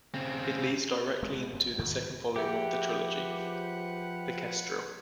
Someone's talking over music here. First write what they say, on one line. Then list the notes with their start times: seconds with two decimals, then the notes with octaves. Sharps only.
It leads directly into the second volume of the trilogy, The Kestrel.
0.14 C#3 C4
1.23 A1 G#3 C4
1.52 F1 F2 C4
1.79 D2 G#2 D#3 G3
2.36 F3 G4 G#4 B4 E5 F#5